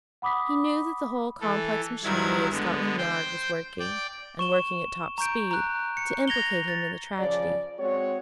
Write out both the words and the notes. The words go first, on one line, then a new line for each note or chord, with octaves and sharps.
He knew that the whole complex machinery of Scotland Yard was working, and working at top speed, to implicate him in the tragedy.
F#5 B5 D6 D#6 B6
E3 A4
G2 D#3 F#3 E4 G#6
D3 G#3 B3
C5 G5
D5 G5
C#6 E7 G7
A#5 C#6 G6 D7
A#5 F#6
C#7
G#6 A#6 F7 G7
A6
C#3 F3 D5
G#3 C4 F#4 C#5